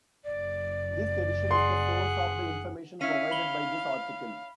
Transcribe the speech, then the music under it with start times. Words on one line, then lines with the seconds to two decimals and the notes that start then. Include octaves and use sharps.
This edition is the source of the information provided by this article.
0.25 F#1 F#2 D5
1.51 G#4 F#5 C6
3.01 C#4 E4 F5 B6 D#7
3.31 B5 F7 G7